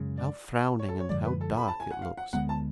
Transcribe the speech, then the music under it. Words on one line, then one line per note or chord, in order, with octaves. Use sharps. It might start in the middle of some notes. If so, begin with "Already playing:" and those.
How frowning and how dark it looks!'
Already playing: F#2 C#3 G#3
D5
C#5
A4
C#5
F#2 D3 F3 G#3 D5
B4
A4
B5
A5
G#5
F#5
F5
F#5
D2 D3 G#3 B3 F#5
A5